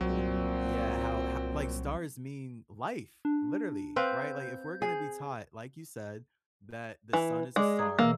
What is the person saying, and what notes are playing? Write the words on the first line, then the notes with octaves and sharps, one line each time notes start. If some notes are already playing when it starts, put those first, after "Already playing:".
And yeah, how ho like, stars mean life, literally, right? Like, if we're gonna be taught- like you said- that the sun is a star,
C2 A#2 F#3 C4
D4
C4 B4 F5 G6
G#4
E3
G#3 G#4 D5 D6
A#5 D#6 G#6
B2 E3 A#3 E6